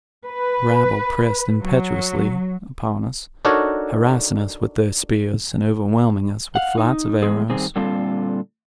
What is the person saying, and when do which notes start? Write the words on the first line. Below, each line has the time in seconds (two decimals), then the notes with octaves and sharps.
The rabble pressed impetuously upon us, harrassing us with their spears, and overwhelming us with flights of arrows.
0.25 B4
1.60 F#3
3.45 D4 D#4 F#4 A4 A#4 C#5
6.55 F5 F#5
6.78 D#4
7.22 E2 G#3 G#4
7.50 G2 D#3 C4 G#4
7.76 A#2 D3 G3 C4 F4 A4